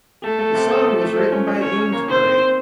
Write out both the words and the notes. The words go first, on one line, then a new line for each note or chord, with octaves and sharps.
The song was written by Amesbury.
A3 A4
A3
C3
C3
F3
A3
F3
C#4
C#4
C#4 C#5
C#4
A#3
D#3 C5
C4
C4